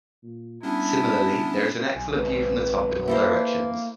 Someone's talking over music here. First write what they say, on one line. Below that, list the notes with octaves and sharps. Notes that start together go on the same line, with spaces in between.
Similarly, there is an excellent view from the top in all directions.
A#2
G3 B3 C#4 D4 E4 A5
B1 G#5
G#1 B4
A#3 E4 A4 C5